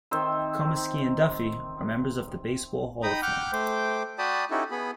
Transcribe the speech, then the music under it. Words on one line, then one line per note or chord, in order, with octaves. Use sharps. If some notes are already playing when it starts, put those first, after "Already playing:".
Comiskey and Duffy are members of the Baseball Hall of Fame.
D#3 C4 C5 E5
D#4 G5 A#5 B5 D#6
F#5 G5 D6 F6 G6
A3 C5 G5 D6
F#4 D5 G5 A5 B5 D#6
C#4 D#4 E4 F#4 G4 A4
B3 G#4 B5